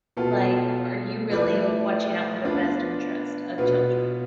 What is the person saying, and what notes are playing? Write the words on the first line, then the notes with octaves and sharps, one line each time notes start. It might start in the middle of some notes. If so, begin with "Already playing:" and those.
Like, are you really watching out for the best interest of children?
B2 B3 F4 A4
F3 A3 E4 B4 D5
B3 D4 F4 B4
B2 B3 F4 B4